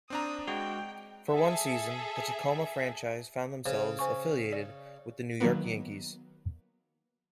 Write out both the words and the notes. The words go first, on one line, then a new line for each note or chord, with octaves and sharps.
For one season, the Tacoma franchise found themselves affiliated with the New York Yankees.
C4 D4 A#5 D#6
G#3 F#4 G5
G#4 A4 E5
C#3 C5
C5 G#5 C#6
D5
D#3 F#3 A#3 B3